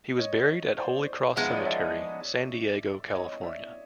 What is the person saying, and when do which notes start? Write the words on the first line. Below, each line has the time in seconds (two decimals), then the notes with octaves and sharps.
He was buried at Holy Cross Cemetery, San Diego, California.
0.18 C#5 D#5
0.77 C5 D5
1.36 F3 G#3 B3 D#4 E5
1.43 D#5
1.50 D5
1.57 C#5 D#5
1.66 D5 E5
3.13 C#5 D#5
3.43 D5 E5